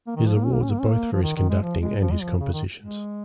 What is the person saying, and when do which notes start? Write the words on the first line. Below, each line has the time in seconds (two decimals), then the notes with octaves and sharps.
His awards are both for his conducting and his compositions.
0.07 A#3
0.16 D#3
0.26 F3
0.35 A#3
0.45 C#4
0.54 A#3
0.62 C#4
0.71 A#3
0.80 C#4
0.89 A#3
1.13 F3
1.23 D#3
1.36 D#3
1.49 G#3
1.62 F3
1.81 G#3
2.01 F3
2.12 G#3
2.23 F3
2.40 C#3
2.53 D#3
2.79 G#3